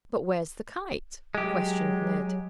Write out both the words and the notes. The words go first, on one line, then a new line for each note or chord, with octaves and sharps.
"But where's the kite?" questioned Ned.
F#3 G#3 G4